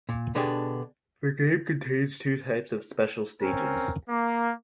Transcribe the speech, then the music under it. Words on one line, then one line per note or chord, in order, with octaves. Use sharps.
The game contains two types of "special stages".
A#2
B2 D3 B3 D4 G4 G#4
C4 C#4 A#4
A#3